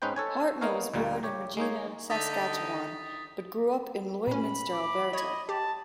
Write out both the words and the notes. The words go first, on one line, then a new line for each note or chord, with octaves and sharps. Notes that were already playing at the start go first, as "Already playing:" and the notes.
Hartnell was born in Regina, Saskatchewan, but grew up in Lloydminster, Alberta.
G#2 C#4 D#4 B4 C5 G5
A4 C#5 G#5
A#3 B3 D#4 A#4 C#5 F5
D2 A#2 G3 A#3
G4 C#5
G#3 A#3 D#4 C#5
D3 D#4 D#6 A6 B6
A#2 C#4 B5
D6
C#5 D#5 G#6
G4 A5